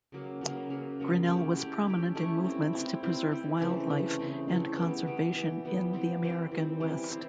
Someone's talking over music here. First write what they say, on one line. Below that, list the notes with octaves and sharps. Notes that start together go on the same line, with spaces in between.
Grinnell was prominent in movements to preserve wildlife and conservation in the American West.
C#3 F#3 A#3
C#3 F#3 A#3
C#3 F#3 A#3
C#3 F#3 A#3
A3 C#4 E4 G4
A3 C#4 E4 G4
A3 C#4 E4 G4
A3 C#4 E4 G4
G3 C4 E4
G3 C4 E4
G3 C4 E4
G3 C4 E4
C#3 E3 A3 C4
C#3 E3 A3 C4
C#3 E3 A3 C4
C#3 E3 A3 C4
E3 G3 B3
E3 G3 B3
E3 G3 B3
E3 G3 B3
E3 G3 C4
E3 G3 C4
E3 G3 C4
E3 G3 C4
C4 E4 G4 C5